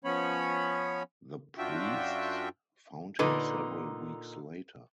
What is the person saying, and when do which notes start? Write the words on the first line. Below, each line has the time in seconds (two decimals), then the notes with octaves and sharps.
The priests found him several weeks later.
0.04 F3 B3 C#4 C#5 B5
1.58 F#2 D4 F4 F#4 E5 G5
3.19 A#2 D3 D#4 A4 B4